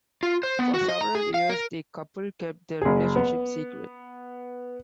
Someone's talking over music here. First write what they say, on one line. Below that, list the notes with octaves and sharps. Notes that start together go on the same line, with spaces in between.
For several years, the couple kept their relationship secret.
F4
C5
B3
F#4
D#5
A#5
G#4
F5
A#4
F#1 G#4
B3